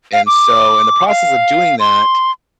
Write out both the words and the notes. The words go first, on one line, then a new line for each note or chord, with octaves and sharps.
And, so, in the process of doing that,
F5
D6
F5
C6